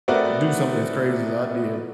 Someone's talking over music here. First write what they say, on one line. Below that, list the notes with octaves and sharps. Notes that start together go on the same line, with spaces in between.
do something as crazy as I did,
A3 B3 C4 F#4 A#4 D5